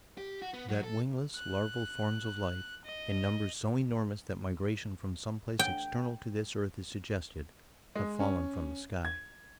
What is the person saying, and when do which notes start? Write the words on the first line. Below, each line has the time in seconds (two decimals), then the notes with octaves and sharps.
That wingless, larval forms of life, in numbers so enormous that migration from some place external to this earth is suggested, have fallen from the sky.
0.18 G4
0.42 F#4
0.54 B3
0.69 F#3
0.84 A4
1.36 F#6
2.85 D#5
5.59 G5
7.95 G#3
8.20 C#4
9.05 G#6